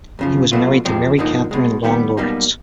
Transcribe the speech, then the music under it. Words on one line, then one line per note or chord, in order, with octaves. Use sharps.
He was married to Mary Kathryn Long Lawrence.
F#2 C#3 F3
B2 F#3 A3 C4 F4
E2 C3 F3 G#3 C4
G2 D3 F3 A#3 D#4
B1 B2 G#3
D#3 G3 B3
B1 B2 G3 A#3 D#4